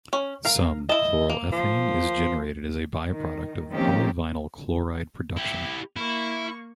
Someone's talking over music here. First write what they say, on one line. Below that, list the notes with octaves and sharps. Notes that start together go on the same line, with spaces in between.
Some chloroethane is generated as a byproduct of polyvinyl chloride production.
C#4
A#4 F5
E4 D#5 A5
A#3
F3
D#3
D#3 F3 A#3 C4 C#4 G4
E4 G4
A#3 E4 C#6